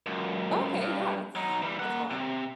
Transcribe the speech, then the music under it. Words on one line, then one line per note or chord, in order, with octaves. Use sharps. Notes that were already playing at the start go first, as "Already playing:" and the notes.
Okay, yeah. That's that's hot.
C#2 F#2
G2
F#3 D#4
E3 G3
A#3 F#5
C3